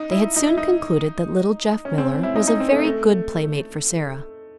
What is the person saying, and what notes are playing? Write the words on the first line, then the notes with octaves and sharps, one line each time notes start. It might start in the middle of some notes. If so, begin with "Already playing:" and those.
They had soon concluded that little Jeff Miller was a very good playmate for Sara.
Already playing: D#4
E4
D#4
E4
D#4
C#4
C4
E4
D#4
D#4
C4
A3
A3